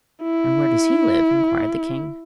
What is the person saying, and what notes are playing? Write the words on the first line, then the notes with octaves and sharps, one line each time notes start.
'And where does he live?' inquired the king.
E4